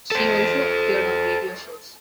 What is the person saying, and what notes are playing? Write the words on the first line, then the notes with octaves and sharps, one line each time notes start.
She also appeared on radio shows.
A4 C5